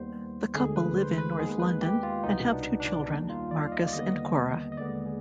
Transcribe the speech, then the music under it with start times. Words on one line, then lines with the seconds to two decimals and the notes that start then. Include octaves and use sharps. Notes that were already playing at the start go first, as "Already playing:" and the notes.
The couple live in North London, and have two children, Marcus and Cora.
Already playing: D#2 D#3 G3 B3 C5
0.54 D2 D3 G#3 G#4
0.76 B4
0.97 C5
1.18 B4
1.38 D#2 D#3 G#3 B3 G#4
1.59 B4
1.82 G4
2.03 F4
2.23 C2 B2 B3 D#4
2.52 D4
2.80 D4
3.08 D#2 D#3 G3 D#4
3.30 F4
3.51 D5
3.62 F5
3.72 D#5
3.87 D5
3.93 D#2 D3 G3 B3 D#5
4.72 D#5
4.77 D#2 D3 G#3 B3 D5
5.06 G#4